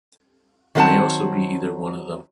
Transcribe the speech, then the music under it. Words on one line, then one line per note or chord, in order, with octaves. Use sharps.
It may also be either one of them.
D#3 F#3 A3 C4 F#5 A5